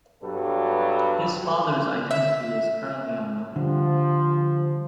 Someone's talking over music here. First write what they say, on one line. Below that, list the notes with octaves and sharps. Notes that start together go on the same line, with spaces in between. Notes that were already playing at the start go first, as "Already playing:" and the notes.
His father's identity is currently unknown.
G2 B2 F#3 G3 A4 B4
E5
D3 F3 G3